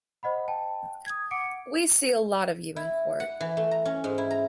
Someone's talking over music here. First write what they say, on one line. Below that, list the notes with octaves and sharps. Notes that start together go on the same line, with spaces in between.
We see a lot of you in court.
C5 D#5 F#5 B5
G5 A5
D#6 G#6
F#5 D6 C#7 D7
E4
F#5
E3
A3
A#5
C#4
G#2
E4
A#5